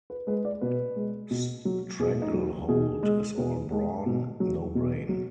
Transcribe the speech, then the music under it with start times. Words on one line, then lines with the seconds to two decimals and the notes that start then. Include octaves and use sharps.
Stranglehold is all brawn - no brain.
0.10 B4
0.27 G#3 B4
0.45 D5
0.61 B2 B4
0.96 G#3
1.31 B2
1.65 F#3
2.00 B2 G#4
2.22 D#4
2.34 F#3
2.69 B2 G#4
3.03 G#3
3.38 B2
3.71 G#3
4.06 B2
4.40 F#3
4.75 B2
5.09 F#3